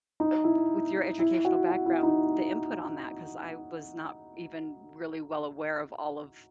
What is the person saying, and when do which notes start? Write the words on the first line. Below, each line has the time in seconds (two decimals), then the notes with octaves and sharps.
uh, w with your educational background, the input on that 'cause I was not even really well aware of all of
0.20 D#4
0.44 E4
1.19 E4
1.45 F#4
1.70 F#4
1.86 E4
2.03 D#4